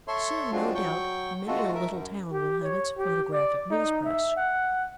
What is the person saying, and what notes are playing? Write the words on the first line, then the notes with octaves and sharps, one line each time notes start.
Soon, no doubt, many a little town will have its photographic news-press.
A4 C#5 E5 C6
F3 F#3 G#3 C4 D4 F4
F#3 G5 C#6
D#3 G#3 A3 F4 F#4 A4
A#4 E5
F#2
G4
C#5
G4
D5
D#4
E5
F#5